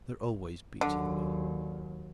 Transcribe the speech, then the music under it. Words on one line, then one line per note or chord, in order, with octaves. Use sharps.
"They're always beating me."
D#2 D3 F#3